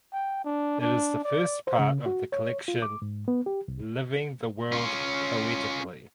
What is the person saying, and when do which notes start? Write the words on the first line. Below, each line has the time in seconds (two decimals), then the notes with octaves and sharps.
It is the first part of the collection "Living the world poetically".
0.13 G5
0.44 D4
0.81 D4
1.24 D5
1.67 C5
1.79 C#3
2.06 F#4
2.32 C#5
2.68 F4
2.82 D6
3.02 G#2
3.28 B3
3.46 G4
3.68 C2
4.72 C#4 F4